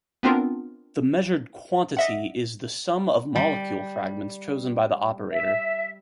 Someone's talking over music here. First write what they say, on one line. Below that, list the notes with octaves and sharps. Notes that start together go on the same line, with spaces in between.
The measured quantity is the sum of molecule fragments chosen by the operator.
B3 C4 D4 F4 A#4
D#5 E5 F#5
G3
E5